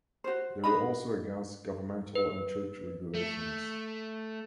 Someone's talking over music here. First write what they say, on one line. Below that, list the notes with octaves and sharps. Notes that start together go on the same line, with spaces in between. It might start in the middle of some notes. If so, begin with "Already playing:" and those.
They were also against governmental and church regulations.
F#4 C5
D4 D#5 B5
B4
A3